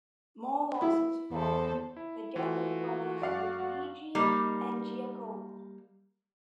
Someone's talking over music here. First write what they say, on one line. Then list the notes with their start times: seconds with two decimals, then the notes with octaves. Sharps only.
More losses followed: the death of the brothers Luigi and Giacomo.
0.82 E4
1.30 E2 A4 C5
1.97 E4
2.36 E3 A3 F4 F#4
3.22 F#2 D5 F5 F#5
4.15 G3 A#3 D#4